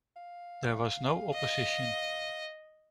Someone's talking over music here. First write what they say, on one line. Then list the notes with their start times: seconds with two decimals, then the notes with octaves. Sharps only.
There was no opposition.
0.16 F5
1.33 D#5